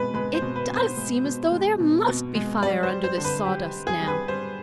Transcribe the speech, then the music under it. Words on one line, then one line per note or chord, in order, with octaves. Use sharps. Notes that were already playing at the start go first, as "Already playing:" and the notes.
"It does seem as though there must be fire under this sawdust now."
Already playing: B2 G#3 B4
G#3 B4
C5
B2
B4
B2
C5
G#3
B2
G#3
B2
B2
G#3
G3 D5
C5
G3
C5
D3
B4
G3 G4
G3
G#4
G3
B4
G3 C5